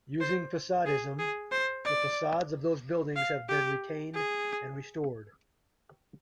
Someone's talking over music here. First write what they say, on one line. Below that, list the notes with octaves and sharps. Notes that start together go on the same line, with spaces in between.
Using facadism, the facades of those buildings have been retained and restored.
C5
G#4
G#4
C5
D5
F5
G4
G#4